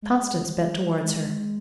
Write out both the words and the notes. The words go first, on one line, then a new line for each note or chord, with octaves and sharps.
Constance bent towards her.
G#3
G#3